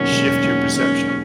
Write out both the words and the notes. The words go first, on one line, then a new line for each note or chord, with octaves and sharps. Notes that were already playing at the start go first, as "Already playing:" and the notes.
shift your perception.
Already playing: E1 D#2 D#3 F#3 C#4
E1
D#2 D#3 F#3
E1 C#4